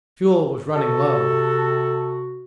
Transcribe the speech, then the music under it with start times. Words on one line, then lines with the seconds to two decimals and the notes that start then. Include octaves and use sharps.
Fuel was running low.
0.76 C3 F#4 A4